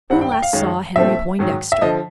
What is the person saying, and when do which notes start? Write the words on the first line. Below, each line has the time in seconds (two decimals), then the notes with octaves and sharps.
Who last saw Henry Poindexter?
0.10 G2 D#3 G3 C4 F#5
0.21 G5
0.32 G5
0.42 F5
0.53 F#2 D#3 G#3 C#4
0.96 A#1 A#2 F3 A3 C4 E5
1.39 G#2 D#3 F#3
1.72 E5
1.81 D3 F3 D#5